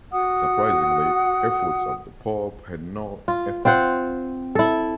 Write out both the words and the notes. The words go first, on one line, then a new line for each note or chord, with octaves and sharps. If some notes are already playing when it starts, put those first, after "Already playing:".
Surprisingly, efforts of the pope had no effect.
F#4 F#5 D#6
F4
C4 F4 C5 F#5
E4 A4